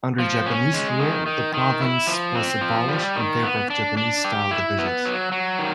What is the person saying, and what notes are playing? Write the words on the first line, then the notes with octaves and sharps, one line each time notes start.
Under Japanese rule, the province was abolished in favour of Japanese-style divisions.
F3
C#4
G#3
D#3
D#3
D#3
E4
F3
C4
F3
G3
D#3
B3
D4
D4
G4
E4
B3
F#3
F#3
D#3